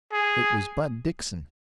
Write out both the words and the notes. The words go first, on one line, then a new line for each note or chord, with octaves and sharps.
It was Bud Dixon.
G#4